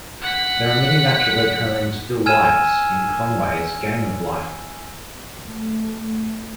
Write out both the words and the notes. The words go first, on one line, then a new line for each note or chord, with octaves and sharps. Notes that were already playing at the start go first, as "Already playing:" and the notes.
There are many naturally occurring still lifes in Conway's Game of Life.
F#5 B6
G#5 E6 F6 G#6 D#7 E7
A3